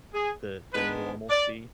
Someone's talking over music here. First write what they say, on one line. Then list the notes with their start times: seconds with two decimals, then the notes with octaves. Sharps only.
the the normalcy,
0.14 G#4
0.71 D#3 G#3 B3 D4 B4
1.29 D5